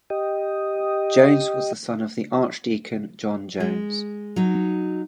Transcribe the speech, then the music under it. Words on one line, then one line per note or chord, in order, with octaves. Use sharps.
Jones was the son of the Archdeacon John Jones.
G4 D#5
G#3
F#3 D#4